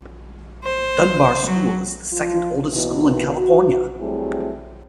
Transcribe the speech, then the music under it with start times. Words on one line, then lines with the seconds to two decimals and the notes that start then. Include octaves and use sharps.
Dunbar school is the second oldest school in California.
0.64 C5
1.45 F#3
2.13 F3 F4
2.72 D#2 B2 E3
3.37 F#4
3.99 F#3 G3 A3 C4 E4 G#4